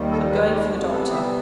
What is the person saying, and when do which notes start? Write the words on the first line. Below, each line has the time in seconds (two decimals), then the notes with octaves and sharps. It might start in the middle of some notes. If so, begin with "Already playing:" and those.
I am going for the doctor.'
Already playing: D#2 D#3 G3
0.12 A4
0.31 B4
0.51 G4
0.72 C3 E3 G3 B3 F#4
0.92 A4
1.12 E5